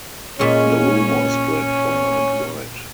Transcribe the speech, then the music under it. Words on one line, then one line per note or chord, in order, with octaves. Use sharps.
The rumour spread far and wide.
A#2 G#3 C#4